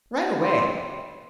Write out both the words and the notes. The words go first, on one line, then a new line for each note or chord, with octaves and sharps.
"Right away."
B3 E4 G4 C6